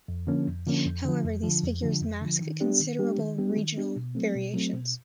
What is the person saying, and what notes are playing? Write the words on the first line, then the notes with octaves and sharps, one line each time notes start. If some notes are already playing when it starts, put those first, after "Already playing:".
However, these figures mask considerable regional variations.
F2
D3 F3 A#3 C#4
F2
D3 F3 A#3 C#4
F2
D3 F3
F2
D3 F3
F2
D3 F3
F2
D3 F3
D#3
G3 B3 D4 G4
D#3
G3 B3 D4 G4
D#3
G3 B3 D4 G4
D#3
G3 B3 D4 G4
B2
F#3 A3 C4
B2
F#3 A3 C4
B2